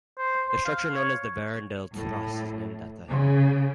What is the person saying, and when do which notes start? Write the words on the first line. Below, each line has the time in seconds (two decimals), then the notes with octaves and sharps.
The structure known as the Vierendeel truss is named after him.
0.18 C5
0.48 C5
0.66 F5
0.93 C#5
1.96 A2
3.09 C#3